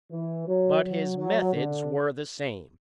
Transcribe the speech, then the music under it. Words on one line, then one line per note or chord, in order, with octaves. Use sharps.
But his methods were the same.
E3
F#3
F#3
F#3
D3